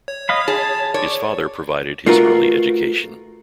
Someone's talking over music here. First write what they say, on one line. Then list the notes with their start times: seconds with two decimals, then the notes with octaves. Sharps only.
His father provided his early education.
0.08 C#5
0.29 D#5 F5 B5
0.48 G#4 A5
0.94 C#5 D5
2.06 A3 F4 F#4 A#4 B4